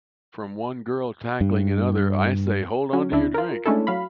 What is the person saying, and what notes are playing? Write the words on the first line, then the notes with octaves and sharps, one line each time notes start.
From one girl tackling another, I say hold on to your drink !
G2
F#3 C#4
D2 D4 E4
F4 A#4
G#3 A3 C#4 D4 E4 A4
F#3 F5 B5